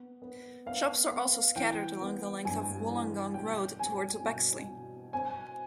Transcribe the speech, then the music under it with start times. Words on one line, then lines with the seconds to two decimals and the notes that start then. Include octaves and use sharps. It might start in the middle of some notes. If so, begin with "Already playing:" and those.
Shops are also scattered along the length of Wollongong Road towards Bexley.
Already playing: B3
0.22 B3
0.66 B3 F5
1.11 B3
1.56 E3 G5
2.01 B3
2.45 G2 G#5
2.89 E3
3.34 B2 G5
3.79 G3 G#5
4.24 B2
4.68 B2
5.13 C4 G#5